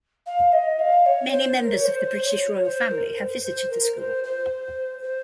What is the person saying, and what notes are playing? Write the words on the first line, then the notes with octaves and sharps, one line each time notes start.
Many members of the British Royal Family have visited the school.
F5
D#5
F5
C#5
C5
A#4
C#5
C5
C#5
C5
A#4
C5
C5
A#4
C5
C5
C5